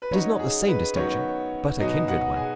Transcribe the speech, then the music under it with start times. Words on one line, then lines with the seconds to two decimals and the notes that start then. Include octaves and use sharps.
It is not the same distinction, but a kindred one.
0.02 B4
0.12 F#3 C#4 D#4 C#5
0.39 G#4
0.68 B4
0.96 D#3 F#3 B3 C#4 C#5
1.79 B2 F#3 D#4 D#5
2.08 F#4 F#5
2.35 G#4 G#5